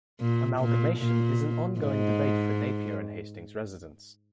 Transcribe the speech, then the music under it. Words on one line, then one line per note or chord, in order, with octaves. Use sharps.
Amalgamation is an ongoing debate for Napier and Hastings residents.
A#2
A#2
A#2
G#2